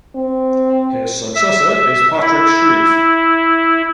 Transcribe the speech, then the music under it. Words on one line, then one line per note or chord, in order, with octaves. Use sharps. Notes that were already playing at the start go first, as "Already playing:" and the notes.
His successor is Patrick Streiff.
C4
E5
E4